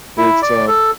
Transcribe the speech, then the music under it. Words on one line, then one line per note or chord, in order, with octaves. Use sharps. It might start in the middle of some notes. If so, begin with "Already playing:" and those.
it's, um,
E4
D5
A4